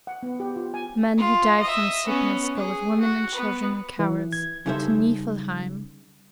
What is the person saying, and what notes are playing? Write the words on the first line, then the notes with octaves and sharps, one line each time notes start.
Men who die from sickness go with women and children and cowards to Niflheim.
F#5
B3
G4
F4
G#5
F4
D#5 E5
B3 C#4
G#4
F#4
B3 B4
E3
G#6
C#3 G3 D#4 A4 C5 E5